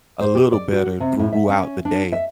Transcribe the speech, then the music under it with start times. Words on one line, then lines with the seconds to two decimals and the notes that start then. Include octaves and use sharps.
a little better throughout the day,
0.21 C5
0.35 G4
0.52 D5
0.72 F#4
1.00 C3
1.19 A2
1.33 E5
1.49 C#4
1.85 D4
2.12 E5